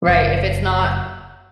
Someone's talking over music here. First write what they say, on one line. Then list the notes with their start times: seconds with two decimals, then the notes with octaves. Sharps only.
Right, if it's not
0.08 F#1